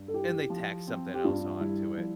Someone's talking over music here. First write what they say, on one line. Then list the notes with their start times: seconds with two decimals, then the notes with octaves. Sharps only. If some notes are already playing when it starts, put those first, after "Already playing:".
and they tack something else onto it.
Already playing: G2
0.08 A4
0.14 E4 G4
0.50 F3
0.87 C4
1.14 G4
1.24 G2 F4
1.61 G3 E4
1.97 F3